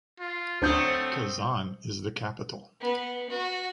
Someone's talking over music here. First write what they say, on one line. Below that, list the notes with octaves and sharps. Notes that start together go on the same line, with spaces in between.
Kazan is the capital.
F4
D2 F#3 A3 C4 D4 C5 D#6 G6
B3
F#4